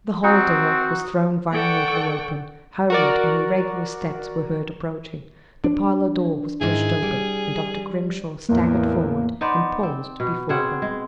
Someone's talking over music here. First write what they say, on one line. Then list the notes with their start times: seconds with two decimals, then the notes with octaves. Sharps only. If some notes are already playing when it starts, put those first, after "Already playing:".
The hall door was thrown violently open, hurried and irregular steps were heard approaching, the parlor door was pushed open, and Dr. Grimshaw staggered forward and paused before her!
0.24 C4 D#4 F#4
1.52 A4 D5 F#5 G5 C#6
2.90 F#4 A#4 D5
5.64 D4
6.61 G#2 D#3 E4 G#4
7.03 G3
8.49 E2 A2 A#3
9.41 B3 D#4 C5 D5
9.83 C4
10.20 B2
10.49 B2 C4 G#4 F#5
10.82 G#3